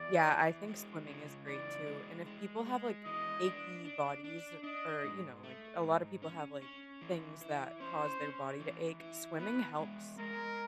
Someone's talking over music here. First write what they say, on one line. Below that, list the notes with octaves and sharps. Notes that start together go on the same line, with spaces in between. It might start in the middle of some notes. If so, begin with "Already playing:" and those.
Yeah, I think swimming is great too, and if people have, like, achy bodies or or, you know, like, a lot of people have, like, things that cause their body to ache swimming helps
Already playing: E2 D5
E3
G#3
C#3
E3 D5
G#3
G#3
G#3
E3 D#5
D4
D4
D4
D4 D#5
G#2
A3
G#2
C#4
C#4
E3
E4
C#4 C5
C#4
E3
E4
B3 B4
G#3
G#3 A#4